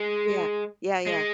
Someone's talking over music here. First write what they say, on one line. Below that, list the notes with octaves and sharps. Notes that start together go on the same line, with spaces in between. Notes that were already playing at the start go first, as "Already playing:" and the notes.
Yeah. Yeah, yeah.
Already playing: G#3
G#3